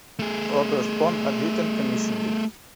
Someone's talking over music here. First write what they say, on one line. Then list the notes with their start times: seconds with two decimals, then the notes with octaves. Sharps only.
Robert Kohn agreed and commissioned it.
0.19 A3 G#4